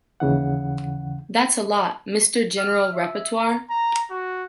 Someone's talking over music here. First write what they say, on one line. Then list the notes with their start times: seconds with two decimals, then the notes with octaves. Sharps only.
That’s a lot, mister general rapporteur.
0.20 D#2 C#3 E3 F#5
2.58 F6
2.93 E5
3.37 A#5
3.70 A#5
4.11 F#4